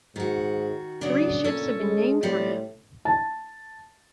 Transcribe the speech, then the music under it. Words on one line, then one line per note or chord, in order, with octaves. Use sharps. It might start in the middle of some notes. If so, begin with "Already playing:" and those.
Three ships have been named for him.
G#2 D#3 F#4
C#3 F#3 B3 D4
A#2 C#4 A4 C#5
G#3
A2 G3 B3 C4
A5